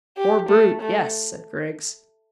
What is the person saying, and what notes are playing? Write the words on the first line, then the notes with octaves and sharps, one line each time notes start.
"Poor brute, yes," said Griggs.
G4
A3
A3